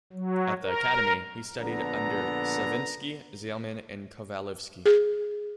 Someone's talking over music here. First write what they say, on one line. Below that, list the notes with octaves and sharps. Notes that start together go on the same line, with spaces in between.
At the Academy, he studied under Savinsky, Zaleman and Kovalevsky.
F#3
A#4
A#1 D3 B3 A4 A#5
G#4